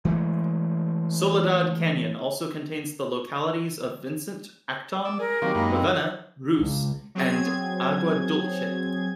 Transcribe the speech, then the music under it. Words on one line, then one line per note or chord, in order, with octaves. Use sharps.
Soledad Canyon also contains the localities of Vincent, Acton, Ravenna, Russ, and Agua Dulce.
E3 G#3 A3
D5 E6
G#4 A#4
D#3 F#3 A#3 C4 G4
F#2 G#3 A#3 D#4 B5
C4
C#2
F#3 C4 G#4 G#6